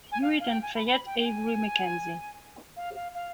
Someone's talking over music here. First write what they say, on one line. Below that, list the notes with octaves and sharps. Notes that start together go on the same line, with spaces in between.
Hewitt and Fayette Avery McKenzie.
G#5
F5
F5
G5
G#5
B5
B5
G5
G5
G#5
F5
F5
F5